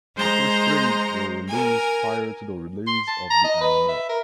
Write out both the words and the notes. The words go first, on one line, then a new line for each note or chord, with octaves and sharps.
The first three were released prior to the release of the anime.
G#3 C5 A#5 C6
A#4 G#5
C6
A5
A#5
D#5
B4
E5
A#4